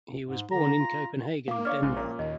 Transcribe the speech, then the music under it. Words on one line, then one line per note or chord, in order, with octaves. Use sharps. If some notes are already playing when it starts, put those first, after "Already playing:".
He was born in Copenhagen, Denmark.
G#2
D3 A#5
F4
A#3 F5 D6
D4 C#5 F5 D6 F6
A#1 G#2 C#3
A#2 C#4
D#2 D#5